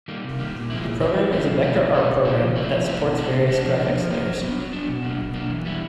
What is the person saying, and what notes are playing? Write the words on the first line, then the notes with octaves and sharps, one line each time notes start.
The program is a vector art program that supports various graphics layers.
D#3 G3 A#3
C3
D#3 G3 A#3
A#2
F3 G#3 C4 E4
A#2
F3 G#3 C4 E4
F3
A3 C4 E4
F3
A3 C4 E4
B2
G#3 C4 D#4
B2
G#3 C4 D#4
F3
A3 C4 E4
F3
A3 C4 E4
B2
G#3 B3 D4
B2
G#3 B3 D4
F3
A#3 D4
F3
A#3 D4
F#3
B3 D4
F#3
B3 D4
B2
F#3 A#3 D4
B2
F#3 A#3 D4
E3
G3 B3 E4